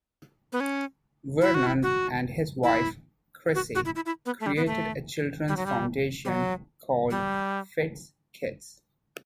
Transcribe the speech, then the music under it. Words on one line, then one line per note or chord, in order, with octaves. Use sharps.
Vernon and his wife, Chrissy, created a childrens foundation called Fidd's Kids.
B3
C#4
E4
F#4
E4
F#4
E4
F#4
F#4
E4
E4
E4
B3
A3
G3
B3
A3
G3
F#3
G3
G3
F#3
G3